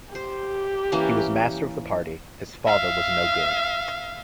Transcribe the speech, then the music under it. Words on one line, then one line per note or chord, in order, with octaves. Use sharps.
He was master of the party; his father was no good.
G4 C5
E3 A#3 C#4
E5 F5